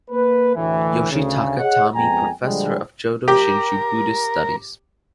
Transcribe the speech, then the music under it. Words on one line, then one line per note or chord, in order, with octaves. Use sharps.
Yoshitaka Tami Professor of Jodo Shinshu Buddhist Studies.
A#3 B4
D2 A2 E3
D2 C#3
G#4 C#5 D#5 F#5
F2 G#3 B3 G5 G#5 A#5
A#2 D3 F3 G3 G#3
G4 A#4